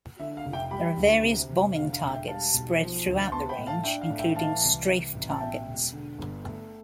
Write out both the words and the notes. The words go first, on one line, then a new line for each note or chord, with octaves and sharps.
There are various bombing targets spread throughout the range, including strafe targets.
D3 E5
F5
F1
E5 G5
G3 G5 B5
D2
C3
F1
D3 F5
F5
E1
E5 G5
G3 F5 A5
B1
F3
D2
B3 A5 C6
G5 B5
A2
F5 A5
D4 E5 G5
F5
A2
E5 G5
E3 F5 A5
C2
E3
A1
A5
B2 E5 G5
E1
D3
G1
A3